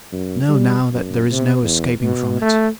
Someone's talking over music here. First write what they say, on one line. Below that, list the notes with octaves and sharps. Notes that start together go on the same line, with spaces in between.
I know now that there is no escaping from it.
F#2
G3
F#2
C3
E2
B2
A3